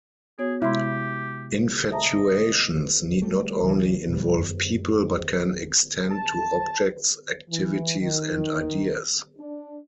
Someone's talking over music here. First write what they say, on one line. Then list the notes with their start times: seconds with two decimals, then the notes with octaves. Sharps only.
Infatuations need not only involve people, but can extend to objects, activities, and ideas.
0.39 B3 F#4 G#4 C#5
0.62 C3 G#3 E4 G4 C6
1.92 D#5 E5 A5 A#5
3.22 G3 A3
3.62 D2 C3 E3
4.09 B2 F3 G3
4.38 F#2
6.10 A5
7.49 E3
8.00 D#3
9.38 D4